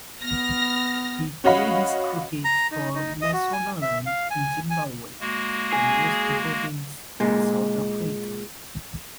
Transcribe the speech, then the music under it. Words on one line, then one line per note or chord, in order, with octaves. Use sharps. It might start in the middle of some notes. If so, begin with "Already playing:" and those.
He played his cricket for Mashonaland in Zimbabwe and Western Province in South Africa.
B3 F6 A#6
C#4 F#4 C#5 D#5 F5 B5
A#5
D#4
D#4
D#5
F#4
G#5
E5
F5
G#5
G#5
G#3 A#3 F#4
G#4
A#2 G#3